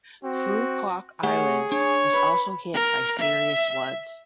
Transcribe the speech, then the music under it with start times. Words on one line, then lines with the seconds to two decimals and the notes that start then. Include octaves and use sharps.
Phu Quoc island was also hit by serious floods.
0.24 C4 F#4
1.23 A3 G4 G#4 C#5 F#5
1.72 D4 C#5
2.14 B4 B5
2.74 A#4
3.19 E5